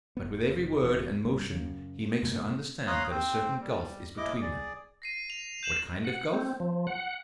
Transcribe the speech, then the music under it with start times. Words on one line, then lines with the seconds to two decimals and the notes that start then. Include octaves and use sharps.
But with every word and motion he makes her understand that a certain gulf is between them. What kind of gulf?
0.17 F1 B3
0.81 D#1 B2 E3
1.25 C#2 G2
1.50 F#2 C#3
2.23 F#2 C3 G#3 A#3
2.87 C#5 F5 A#5 C6 D#6 F#6
3.11 C4 C5
3.61 G3
4.18 D#2 E4 D#5 D6
4.42 G#4 D5
5.02 A#6 C7 D#7
5.30 F7
5.63 G6 E7 F#7
6.04 F#5
6.33 C4
6.60 F3
6.87 F#5